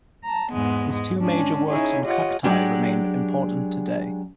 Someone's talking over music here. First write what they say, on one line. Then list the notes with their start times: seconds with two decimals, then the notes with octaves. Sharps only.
His two major works on cacti remain important today.
0.23 A5 A#5
0.51 E2 G#2 G#3 B3
0.88 G#2 G#3
1.18 G#3 C#4 D4
1.68 C#4 D#4 E4 G#4 C#5
2.05 F4 G4 C#5 D#5 F#5
2.44 F#3 G#3 D4 G4 D5